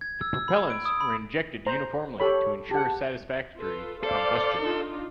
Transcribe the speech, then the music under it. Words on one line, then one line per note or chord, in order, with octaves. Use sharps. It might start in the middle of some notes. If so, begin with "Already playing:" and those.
The propellants were injected uniformly to ensure satisfactory combustion.
G#6
E6
E6
B5
D7
D#6
B5
C5 A#5
G4 A4 C#5 B5
G4 F#5 A5
F4 A4 B4
A4 C5 D5 F5
D4 D#4 F4